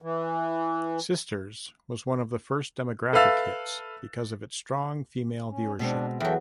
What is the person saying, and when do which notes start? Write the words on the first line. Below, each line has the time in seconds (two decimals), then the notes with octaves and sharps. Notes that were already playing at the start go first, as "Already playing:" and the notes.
"Sisters" was one of the first 'demographic' hits because of its strong female viewership.
0.02 E3
3.13 A4 B4 E5 F5 E6 A6
5.49 C#4
5.79 B2 G#3 C4 D4
6.20 E2 F#3 A4 E5 G5